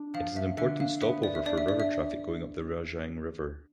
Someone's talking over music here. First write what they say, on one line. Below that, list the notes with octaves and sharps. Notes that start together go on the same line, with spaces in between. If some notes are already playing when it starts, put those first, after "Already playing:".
It is an important stopover for river traffic going up the Rajang River.
Already playing: D4
F3 F5
E5
D3 E5
F5
B3 E5
D5
E5
D4 D5
E5
D5
E5